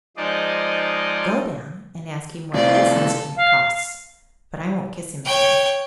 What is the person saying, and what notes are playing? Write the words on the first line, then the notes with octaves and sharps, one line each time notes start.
Go down and ask him what this instrument costs; but I won't kiss him again.'
F3 G#3 D#4 C5 D5 D#5
A2 C3 F4 C5 D5
A4
F5
C#5 G5